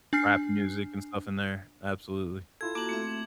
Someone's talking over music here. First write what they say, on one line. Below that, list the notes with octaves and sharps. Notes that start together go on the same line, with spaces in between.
Rap music and stuff in there. Absolutely.
D4 G#5 F6 C7
E4 F4 A4 G#6
A#3 F#4 A5 D6 F#7
A3 C4 E5